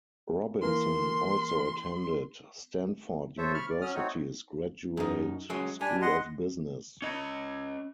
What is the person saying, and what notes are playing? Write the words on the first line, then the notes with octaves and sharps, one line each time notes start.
Robinson also attended Stanford University's Graduate School of Business.
E3 A#3 C6
A4 C5 C#5 E5
B5 C#6 F6
D5
F#3 C#4 D#6 F6
A3 C4 D#4 F#4 C#5
F#2 D#4
F#3 G#3 C#4
G3 D4 G#5
D#5 F#5 C6
C#4 D#5